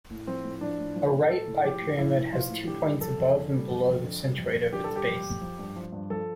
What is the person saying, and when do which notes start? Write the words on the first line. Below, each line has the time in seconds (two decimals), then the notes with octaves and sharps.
A right bipyramid has two points above and below the centroid of its base.
0.11 A2
0.27 F3 C4
0.44 A2
0.61 F3 D4
0.79 A2
0.96 F3
1.13 A2
1.30 F3 A4
1.47 A2
1.64 F3 G4
1.81 A2
1.98 F3 E4
2.16 A2
2.33 F3 F4
2.50 A2
2.67 D3 G4
2.85 G3
3.01 F2 A4
3.18 F2
3.36 D3
3.53 G3
3.70 F2
3.87 F2
4.04 D3
4.22 G3
4.38 F2
4.55 F2
4.73 D3 G4
4.84 A4
4.90 G3
4.96 G4
5.07 F2
5.24 F2
5.41 F3
5.59 G2
5.76 F3
5.92 G2
6.10 F3 A4